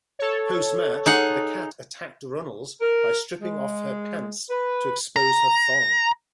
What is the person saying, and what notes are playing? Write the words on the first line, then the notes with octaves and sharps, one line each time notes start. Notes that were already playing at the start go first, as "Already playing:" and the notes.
Post-match, The Kat attacked Runnels by stripping off her pants to expose her thong.
A4 C#5
D#4 G#4 F#5
A#4
G#3
B4
A#5